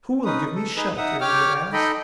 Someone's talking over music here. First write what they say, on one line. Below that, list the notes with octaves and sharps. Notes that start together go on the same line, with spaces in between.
"Who will give me shelter?" he would ask.
C#4 D#4 B4 D#6
A4
D#4 G#4 B4
D#4 E5 F#5 D#6
G4 C#5 G5 D6 F6
D#4 A4 D#5 G5 B5